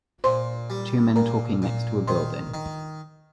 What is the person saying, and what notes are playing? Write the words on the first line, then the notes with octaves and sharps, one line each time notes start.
Two men talking next to a building.
A#2 C5 C6
G3
A#2 A#4 A#5
A#2
D#3 C5 C6
D#3